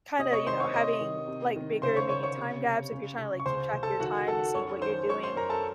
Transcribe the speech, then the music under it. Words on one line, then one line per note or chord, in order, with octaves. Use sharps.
kinda, you know, having, like, bigger maybe time gaps, if you're trying to, like, keep track of your time and seeing what you're doing
C3 D#5 D#6
C#5 C#6
D#3 C5 C6
C#5 C#6
C3 D#5 D#6
D#3
C3
D#3
C#3 C5 C6
C#5 C#6
C#3 C#5 C#6
C#5 C#6
C3
C3
C#3
C#3
C#6
C#2 C5 C6
C#2
A4 A5
D#3 F#4 F#5
D#3 A4 A5
F#2 C#5 C#6
D#3 C5 C6
F#2 C#5 C#6
C5 C6
F#2 A#4 A#5
A4 A5